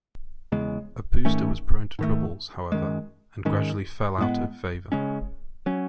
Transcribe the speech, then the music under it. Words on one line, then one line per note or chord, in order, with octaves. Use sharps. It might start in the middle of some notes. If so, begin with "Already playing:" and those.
A booster was prone to troubles, however, and gradually fell out of favor.
E2 C#3 G#3
G#2 D#3 A3 C#4
G#2 D#3 A3
F#2 D#3 G#3
G#2 D#3 G#3 C#4
A2 G#3 B3
C#3 G#3 C#4
F#3 C#4